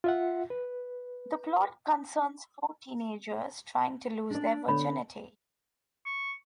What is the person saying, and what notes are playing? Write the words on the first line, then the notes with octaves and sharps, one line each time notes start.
The plot concerns four teenagers trying to lose their virginity.
F4 E5 F#5
B4
D4 D5
D3 B3 C#5 B5
C#6